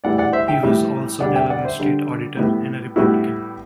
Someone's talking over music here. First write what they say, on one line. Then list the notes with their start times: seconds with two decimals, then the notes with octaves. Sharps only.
He was also Delaware state auditor and a Republican.
0.04 A2 E3 G3 D5 F#5
0.18 D5 F#5
0.33 C5 E5
0.47 E5 G5
0.63 A2 E3 G3
1.20 D3 G3 D4 D5 F#5
1.35 E5 G5
1.50 D5 F#5
1.64 C5 E5
1.79 D3 G3 D4
2.37 A2 G3 B3 E4
2.96 A2 G3 B3 E4 F#4